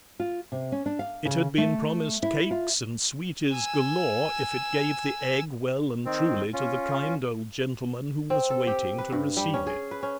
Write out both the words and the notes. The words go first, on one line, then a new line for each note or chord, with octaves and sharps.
It had been promised cakes and sweeties galore if it gave the egg well and truly to the kind old gentleman who was waiting to receive it.
F4
C3
C#4
D4
F5
C#3
A3
E4
F4
G#5 E6
D#3 C4
C#4 F4
C4
A4
G4
B4
G2
G3
C#4
G#4
B4
C#4